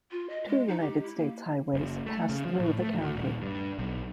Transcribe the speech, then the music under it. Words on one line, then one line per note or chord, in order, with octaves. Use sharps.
Two United States highways pass through the county.
F4
D#5
G#3
D#4
G4
E4
A#3
F#1
A3
C#3
F3
A2
A3
D2
D#1
G2
B1